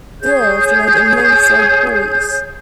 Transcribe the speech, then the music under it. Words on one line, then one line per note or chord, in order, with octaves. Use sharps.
Girls learned alongside boys.
G#4 C#5 G6